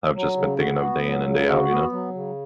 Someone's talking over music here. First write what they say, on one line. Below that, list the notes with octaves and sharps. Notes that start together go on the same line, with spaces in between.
I've just been thinking of day in and day out, you know?
F#3
C#3
F#4
B3
F#3
C#3
F#4
B3
F#3
C#3